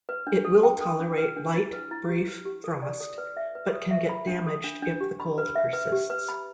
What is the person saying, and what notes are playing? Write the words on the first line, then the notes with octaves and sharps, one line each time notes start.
It will tolerate light brief frost, but can get damaged if the cold persists.
B4
D4
A4
G5
A4
D4
B4
D4
E4
B4
E4
G4
B4
G4
A4
D5
A4
B4
E5
B4
A4
E5
B5
D4
A4
D4
D4
G4
B5
B4
E5
B4
G4
B4
B5